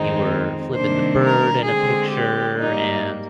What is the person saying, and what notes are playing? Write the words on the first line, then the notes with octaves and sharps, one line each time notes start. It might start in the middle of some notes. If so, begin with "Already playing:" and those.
you were flipping the bird in a picture and,
Already playing: F2 D#3 G#3 C4 D#4
C3 D#3 G3 A#3 D4 C5
A#4
D3 G#3 C4 G#4
G4
G#2 G3 A#3 D#4